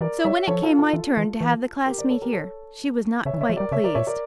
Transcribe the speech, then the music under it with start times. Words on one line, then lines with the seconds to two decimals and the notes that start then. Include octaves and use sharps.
So when it came my turn to have the class meet here, she was not quite pleased.
0.01 E3 A#4 D5
0.24 G3 C#5 E5
0.47 F3 A4 C#5
0.63 F4 A4
0.79 F4 A4
0.93 E3
1.17 E3
1.41 E3
1.86 G4 A#4
1.98 A#4 D5
2.10 A4 C#5
2.22 G4 A#4
2.33 A4 C#5
3.25 C#3 C#5 E5
3.34 E3
3.38 D3
3.41 C#5 E5
3.50 F3
3.56 G3 A#4 D5
3.72 C#3 C#5 E5
3.84 A#4 D5
3.95 A#2 C#5 E5
4.07 A#4 D5